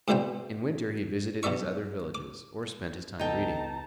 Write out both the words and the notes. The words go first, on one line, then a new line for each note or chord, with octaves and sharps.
In winter he visited his other villages or spent his time reading.
G#2 B2 D3 E3 C4 G5
B2 F#3 D5 E5 C#6
D6
C#2 B3 D#4 A4 G5 A5 A#5